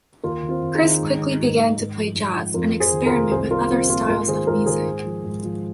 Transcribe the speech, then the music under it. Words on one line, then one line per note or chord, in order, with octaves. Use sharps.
Chris quickly began to play jazz and experiment with other styles of music.
D#2 F4 A#4
D#3
C4 F4
D#2
D#4 G#4
D#3
G#2
D#3
G#2
D#3
G#2
F3
G#2
F3
F2 F4 A#4
F2
G#4 C5
D#3
F4 A#4
C3
C2 G#4 C5
C2 F4 A#4
F3 C4 F4
A#2 C4 F4
G#2 F4 A#4
D#3 G#4 C5
G#2 F4 A#4
D#3 G#4 C5
G#2
F3
G#2
F3